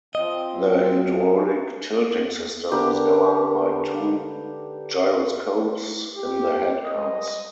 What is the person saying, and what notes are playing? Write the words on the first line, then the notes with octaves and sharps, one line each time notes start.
The hydraulic tilting system is governed by two gyroscopes in the head cars.
F3 C4 D#5
F#3
D3 G4 A#4 B4
G4
D#5